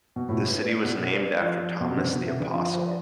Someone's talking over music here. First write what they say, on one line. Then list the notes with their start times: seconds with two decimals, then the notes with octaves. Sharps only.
The city was named after Thomas the Apostle.
0.16 B2
0.28 A2 F4
0.48 B4
0.66 D5
0.84 B2
1.42 F3
1.80 B2
1.89 C3
1.97 D3 C5
2.12 B2
2.26 C3 E5
2.40 D3
2.54 F3 F5
2.73 C5
2.86 D5